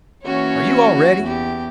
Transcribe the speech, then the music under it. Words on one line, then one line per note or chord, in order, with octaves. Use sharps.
Are you all ready?
E3 A#3 C#4 F#4 C#5
E2 G4